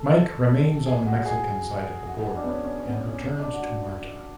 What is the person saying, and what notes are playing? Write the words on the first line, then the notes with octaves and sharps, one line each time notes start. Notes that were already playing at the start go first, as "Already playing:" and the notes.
Mike remains on the Mexican side of the border and returns to Marta.
Already playing: A4
G#4
F#4
G#4
F#4
G#4
F#4
D4
B3
C#4
C#4
C#4
B3
C#4
C#4
C#4
D4
F#4